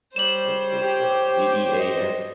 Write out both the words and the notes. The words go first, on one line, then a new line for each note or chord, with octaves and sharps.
look this up. Z-E-A-S?
G3 C5 C#5 E7 F#7
G4
D#5